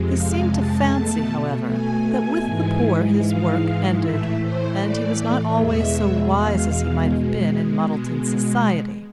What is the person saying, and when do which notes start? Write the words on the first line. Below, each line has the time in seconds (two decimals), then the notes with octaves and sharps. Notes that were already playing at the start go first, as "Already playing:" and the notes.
He seemed to fancy, however, that with the poor his work ended, and he was not always so wise as he might have been in Muddleton society.
Already playing: F2 C3 G#3
0.12 F5
0.50 A5
0.90 B2 A3
1.68 G#5
2.45 G#2 E3 G#3
3.24 F5
4.02 A2 E3 A3 E5
4.41 C5
4.80 D5
5.58 E2 B2 G#3 E5
6.36 F5
7.14 B2 G#3